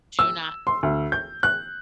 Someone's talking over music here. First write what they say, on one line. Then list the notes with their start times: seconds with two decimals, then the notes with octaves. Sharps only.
do not
0.19 E6
0.67 C6
0.83 D2
1.12 G6
1.43 F#6